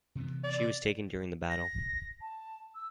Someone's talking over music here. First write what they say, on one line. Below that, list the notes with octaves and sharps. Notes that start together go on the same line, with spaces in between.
She was taken during the battle.
C3 E3 B3
D5
A#6
A5
E6